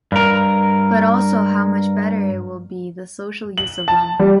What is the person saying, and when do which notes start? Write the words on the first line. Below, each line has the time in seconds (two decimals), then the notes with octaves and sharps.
But also how much better it will be the social use of them.
0.12 G2 A#4
3.58 F#7
3.88 A5
4.19 G3